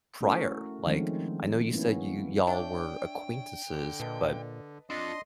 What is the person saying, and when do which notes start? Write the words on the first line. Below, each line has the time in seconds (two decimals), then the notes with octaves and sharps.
prior? Like, I know you said y you y'all were acquaintances, but,
0.21 A3 C#4 E4 F#4 A#4
0.87 D#3 F3 G#3 A3 C4 C#4
1.72 G#3 A#3 B3 C#4 E4
2.47 D4 C#5 E5 G5
3.69 D3
4.00 A#2 B4 D#5 A5
4.90 C4 D4 F4 D#5 C6